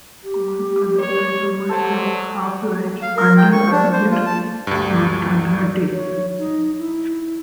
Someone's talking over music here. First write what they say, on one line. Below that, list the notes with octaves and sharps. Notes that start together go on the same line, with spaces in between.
All other isomers have half-lives under a year, most under a day.
G4
C#5
F#3 A4 C5 A5
F5
A#4
G5
C#6
D4
C5
F4
A5
D2 G2
C#5
D#4
E4